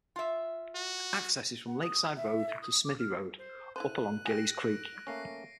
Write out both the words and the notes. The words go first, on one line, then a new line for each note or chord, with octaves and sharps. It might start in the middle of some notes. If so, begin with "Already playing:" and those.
Access is from Lakeside Road to Smythe Road up along Gillies Creek.
F4 E5
F#4
F#5
D#6
E5
D#6
D6
F6
C5
E4 A4 C5 F#6 D#7
G4 G#4 A#6 D7
A3 A#3 C#4 A#6 C7